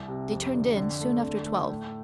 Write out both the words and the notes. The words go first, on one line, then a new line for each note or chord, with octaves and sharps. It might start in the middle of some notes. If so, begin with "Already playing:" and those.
They turned in soon after twelve.
Already playing: C2
C3
F2
D3
D3
A3
D3
A3
A2